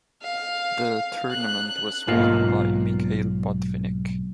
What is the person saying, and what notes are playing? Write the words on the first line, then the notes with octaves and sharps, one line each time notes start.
The tournament was won by Mikhail Botvinnik.
F5
F#6
B1 G#2 A#3 F4 F5